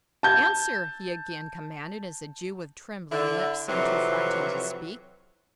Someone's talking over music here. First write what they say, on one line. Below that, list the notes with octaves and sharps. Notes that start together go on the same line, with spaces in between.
"Answer!" he again commanded, as the Jew with trembling lips seemed too frightened to speak.
A5 G6 G#6
D3 E4
F2 C3 E3 F#3